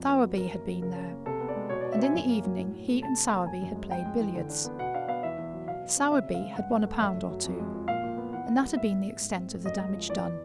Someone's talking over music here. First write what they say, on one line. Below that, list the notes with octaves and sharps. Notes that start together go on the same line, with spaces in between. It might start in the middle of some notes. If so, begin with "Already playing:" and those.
Sowerby had been there, and in the evening he and Sowerby had played billiards. Sowerby had won a pound or two, and that had been the extent of the damage done.
Already playing: F2
B3
F#3
F#2 A#4
A#3
F#3
C#3 A#4
C#4
A#3
C3 A4
B3
D5
G#3
B2 C#5
B2 D5
E5
C4 G#5
F#2
A#3
F#3
A2
A2
A3
C3 A5
D4
A5
A#3
F#2 G#5
F#2
G#3
F2 G5
G#3
E3
D3
D4
B3
B2 F#5
D4 F5
B3 F5
E2 E5
E2
F#3
B2 F5
B2
C4
C#3 E5
C#3
F5
G#3
G2 F#5
G2
A3
F#2 E5
F#2
F#3
F2
G#3
F3
A#2 F5
A#2
B3
E2 F#5
A#3
G3
G#2 E5
B3
G#3
G#2
C4
A3
F#2 D#5
G#3
F3
E2 D5